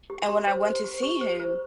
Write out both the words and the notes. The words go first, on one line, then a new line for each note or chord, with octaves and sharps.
And when I went to see him
G4
G4 C6
C5
C5
G4
G4 C#6
C5
C5